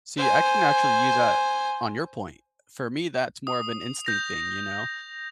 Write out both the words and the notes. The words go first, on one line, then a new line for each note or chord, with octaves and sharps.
See, I can actually use that on your point. For me, that's more of an instinct thing, you know?
C5 G#5
D#6
G6 A#6 F7